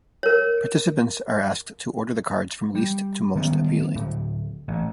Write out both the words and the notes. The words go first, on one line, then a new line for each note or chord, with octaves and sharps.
Participants are asked to order the cards from least to most appealing.
A#4 C#5
G3
D#3 G3 B3 C#4
D1
A1